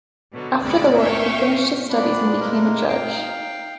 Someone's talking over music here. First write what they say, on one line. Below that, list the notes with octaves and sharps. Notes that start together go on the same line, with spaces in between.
After the war he finished his studies and became a judge.
B2 D3 F#3
D2 G#3 A4 D5 B5
E5 F5 G5 G#5 C#6
A#2 G3 B3 D4 D5 B5
G#3 A#3 D#4 A#4
F5 G5